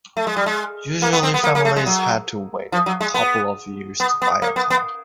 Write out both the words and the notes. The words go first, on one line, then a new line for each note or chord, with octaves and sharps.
Usually families had to wait a couple of years to buy a car.
A3
G#3
G3
G#3
A#3
B3
C4
B3
A#3
A#3
A3
G#3
F#3
F3
F#3
G#3
B3
B3
B3
A#3
B3
B3